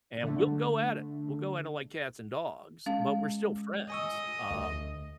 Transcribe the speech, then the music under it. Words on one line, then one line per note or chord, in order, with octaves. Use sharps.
and we'll go at it, we'll go at it like cats and dogs, but we're still friends, um,
D3 A3
G#3 C#4 F5
D#5 G#5 C#6 E6
D2